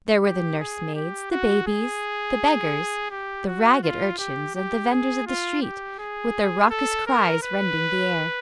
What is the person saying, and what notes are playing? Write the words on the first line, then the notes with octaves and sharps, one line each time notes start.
There were the nursemaids--the babies--the beggars--the ragged urchins and the venders of the street, with their raucous cries rending the air.
G4
G#4
G4
F#4
G#4
G4
F#4
F4
G4
G4
G#4
F4
G4
G#4
A4
A#4
B4